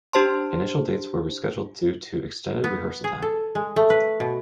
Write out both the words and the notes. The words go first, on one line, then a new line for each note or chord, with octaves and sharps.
Initial dates were rescheduled due to extended rehearsal time.
D4 G4 C5 A5 C6
B3
G#4
A4
G#3
A3
B4
B2